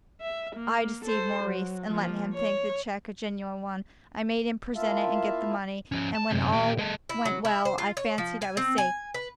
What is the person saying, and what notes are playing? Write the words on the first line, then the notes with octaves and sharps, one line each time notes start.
I deceived Maurice, and let him think the check a genuine one; I made him present it and get the money, and when all went well I fancied I was safe.
E5
A#3
A4 C5
F#3
F3 A#3
C#5
A#3 E4 F4 E5 F5 A5
F3 C#4
A5
F#2 C3
A#2 G4
G#3 A4
E4
F#3
E4
C5
F4
C#5
F3
G#5
C4
G#5
B4